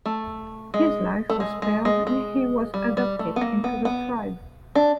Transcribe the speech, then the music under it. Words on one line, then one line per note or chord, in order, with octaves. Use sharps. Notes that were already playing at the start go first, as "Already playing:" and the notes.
His life was spared and he was adopted into the tribe.
A3
G#3
A3
G#3
G#3
G#3
G#3
G3
G3
A3
B3
A#3
B3
B3
D4